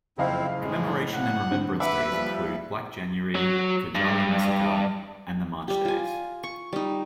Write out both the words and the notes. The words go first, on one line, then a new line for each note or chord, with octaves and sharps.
Commemoration and remembrance days include Black January, Khojaly Massacre and the March Days.
F#1 F2 C4 E4 D#5 F5
A2 G#3
F#5
D3 C4
B4 E5 F#5 B5 D6
F3 G3
F#3
G2
G3 G4
F4 G#5
C#6
G3 D#4